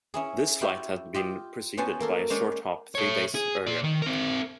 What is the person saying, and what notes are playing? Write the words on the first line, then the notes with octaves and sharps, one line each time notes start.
This flight had been preceded by a short hop three days earlier.
C#4 E4 G#4
E4 F#4 G4 C5 E5
F4 G4 D#5
B3 C#4 F#4 C5 G#5 A5
A#3 A4 A#4
G#3 C#4 C5 D5 F5
A4 C#5
G#4
A#2 D5
D#3
C4 A#4